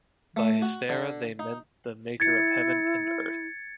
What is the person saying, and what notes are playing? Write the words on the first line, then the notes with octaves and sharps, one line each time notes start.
By Hystera they meant the Maker of Heaven and Earth.
A3
F#4
D3
D#4
E4 G#6 A6 C#7